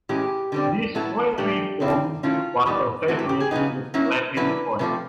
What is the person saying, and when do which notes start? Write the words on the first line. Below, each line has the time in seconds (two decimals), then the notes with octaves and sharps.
This poetry form was a favorite with Latin poets.
0.09 A2 E3 G#3 C#4 G4
0.52 D3 G3 C4
0.95 A2 F#3 B3 E4 A4
1.38 A2 E3 A3 D4 G4
1.80 C3 D#3 G3 C4 E4
2.23 D#3 F#3 A3 C#4 E4 F4
2.66 E3 G3 B3 D#4
3.08 F#3 A3 C4 E4 F#4
3.19 G4
3.29 G4
3.40 G#4
3.51 C#3 F#3 B3 D#4
3.94 F#3 A#3 C#4 E4
4.36 D3 F#3 A#3 C#4 E4 B4
4.79 C3 F3 A3